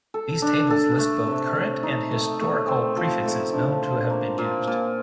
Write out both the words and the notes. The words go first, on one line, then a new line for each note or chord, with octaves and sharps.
These tables list both current and historical prefixes known to have been used.
A4
D4
A4
A3
C3
A3
D#4
A3
A3
C4
F3
A3
D4
C5
A#3
A#2
A#2